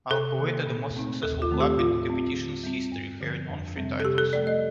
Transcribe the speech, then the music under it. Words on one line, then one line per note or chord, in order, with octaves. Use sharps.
Al-Kuwait are the most successful club in the competition's history, having won three titles.
C3 A4
D#3 A#3
A#2
A3 C4 D#4
D#2 A4
F4
D#3 A3 C4
G4
A2 F4
G3 C4
D3
G3 C4
G2
D3 F3
F2
C3 G3 C4
A4
C3 G4
A4
F3 A3 D5
D#5